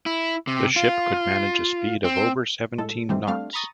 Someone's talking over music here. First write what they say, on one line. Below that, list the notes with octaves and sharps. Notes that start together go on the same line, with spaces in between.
The ship could manage a speed of over seventeen knots.
E4
C3
F4
C4
A2 G#3 A4
B2 D#3 E3 G3 A3 C4
G3 A3 C4 D4 F5 F6
A#5 B5 C#6 D#6 A6